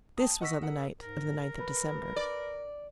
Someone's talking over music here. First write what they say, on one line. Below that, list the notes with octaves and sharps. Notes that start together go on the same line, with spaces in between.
This was on the night of the ninth of December.
G5 A5 D#6
D#5 F#5 C#6 E6 A#6 B6
A#4 F#5
G#2 A#4
B4
D5